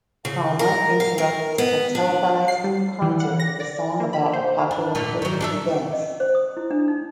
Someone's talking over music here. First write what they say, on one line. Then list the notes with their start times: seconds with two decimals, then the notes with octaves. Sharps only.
Chroma interrupts a televised concert with a song about apacolyptic events.
0.25 C#3
0.59 A#4
1.00 F5
1.18 A#4
1.58 B3
1.95 D4
2.48 C7
2.64 G3
3.02 E3
3.20 F#5
3.40 A#6
3.60 D5
4.00 A#3
4.13 B5
4.33 C5
4.71 D4
4.95 A#2 D3 A3
5.22 D#3 F#3
5.40 D4 F#4 E5
5.72 C#4
5.93 D#5
6.20 C5
6.35 D#6
6.57 E4
6.71 D4
6.88 D#4